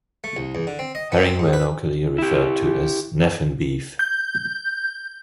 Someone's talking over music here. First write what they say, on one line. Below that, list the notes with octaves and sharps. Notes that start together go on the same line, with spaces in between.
Herring were locally referred to as "Nefyn beef".
A3
C2
E2
D3
C4
D#5
B3
C4
G#2
B4
E4 G4
G6